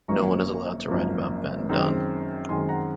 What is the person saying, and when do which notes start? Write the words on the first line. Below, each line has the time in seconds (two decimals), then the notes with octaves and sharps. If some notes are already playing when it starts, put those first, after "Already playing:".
No one is allowed to write about Ben Dunne.
0.08 G#1 F#2 F3 A#3 A#5 C#6
0.89 G#1 F#2 F3 A#3
1.69 F#2 D#3 G#3 C4
2.49 F#2 D#3 G#3 C4 G#5 C6
2.69 F#5 A#5